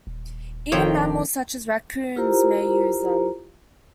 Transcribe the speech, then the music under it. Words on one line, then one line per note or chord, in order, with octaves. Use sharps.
Even mammals such as raccoons may use them.
D#1
F2 D#3 C5 C#5 G5 A#5
E4 F4 G4 A#4 C5 A#5